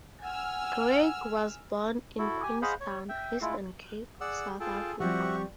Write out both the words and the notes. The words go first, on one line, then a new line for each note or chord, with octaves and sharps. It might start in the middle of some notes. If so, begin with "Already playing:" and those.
Greig was born in Queenstown, Eastern Cape, South Africa.
F#5 G#5 E6 F6
E4 F#4 A4
G4 G#5
G#4 C5 D#5 F5 F#5 B5
C#5
E5 G5
G#3 A3 E4 F4 A4
G#4 D5 F#5 E6
F4 G#4 A4 G5 A5
F3 G3 C4 F#4 G4 E5 F#5 C#6